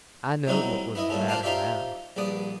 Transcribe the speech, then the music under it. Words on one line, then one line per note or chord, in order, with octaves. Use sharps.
I knowed what was the matter now.
A2 F#3 G3 C4 D#4 F#4
B3 E4 D#5
G2 A#2 A3 C#4
D4 F4 C5 D5 F5 A5
D#4 F4 G4 C5 D5 E5
A#1 G2 B3 D5 D#6